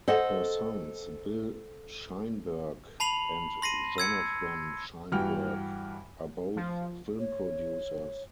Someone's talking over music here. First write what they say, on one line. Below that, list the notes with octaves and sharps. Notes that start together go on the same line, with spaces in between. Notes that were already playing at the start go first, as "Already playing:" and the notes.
Her sons, Bill Sheinberg and Jonathan Sheinberg, are both film producers.
A4 C5 D#5 F#5
A5 B5 C7 F7 F#7
C6 A#6 C7 D#7
E6 G#6 C#7
G2 E3 F#4 F#5 G5 F6
F3
C#5